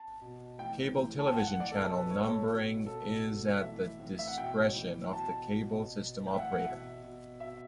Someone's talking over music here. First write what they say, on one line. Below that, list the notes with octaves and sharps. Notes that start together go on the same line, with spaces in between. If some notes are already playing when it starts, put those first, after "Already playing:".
Cable television channel numbering is at the discretion of the cable system operator.
Already playing: A5
B2
A2 E3 G5
A2 E3
A5
G5
A2 E3 F#5
F#5
D5
B2 A4
A4
B4
B2 C#5
A4
B2
B2 A4
B2
A2 E3 E5
A2 E3
E5
F#5
B2 G5
A2 E3
B2 A5
B2
B2
A2 E3 G5
E5
F#5
F#5
B2 E5
B2
B2 E5